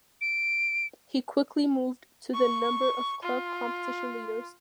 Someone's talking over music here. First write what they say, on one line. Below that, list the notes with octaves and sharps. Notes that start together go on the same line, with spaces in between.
He quickly moved to the number of club competition leaders.
D7
C#6
F4